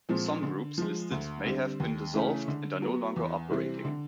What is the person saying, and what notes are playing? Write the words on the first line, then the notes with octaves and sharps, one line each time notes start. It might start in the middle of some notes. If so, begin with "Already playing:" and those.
Some groups listed may have been dissolved and are no longer operating.
A#2 F3 G#3 C4
D3
F3 G#3
D2
D3 G3 C4
D#2
C#3 E3 A3 C#4
D3
F#3 B3
E2
C3 E3 G3 C4
D3